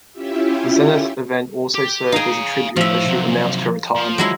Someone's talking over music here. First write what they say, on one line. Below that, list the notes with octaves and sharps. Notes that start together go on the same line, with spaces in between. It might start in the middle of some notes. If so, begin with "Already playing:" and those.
The Zenith event also served as a tribute as she announced her retirement.
C#4 E4 F4 G4 E5
G4
D#4 G#4 F5 G#5
A2 F3 E5
C3 F#3
F3
F#3 G#3 E4